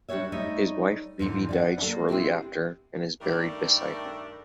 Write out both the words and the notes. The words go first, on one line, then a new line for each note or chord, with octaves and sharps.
His wife Phoebe died shortly after and is buried beside him.
G3 D4 F#4 G4 C#5 E5
G3 A3 D#4 C#5 D#5 E5
F2 G#2 D3 E3
D5 E5 F#5
A#3 A4
G#3 B3 C4 D4 E4 G4
G2 D#3 A3 A4 A#4 D5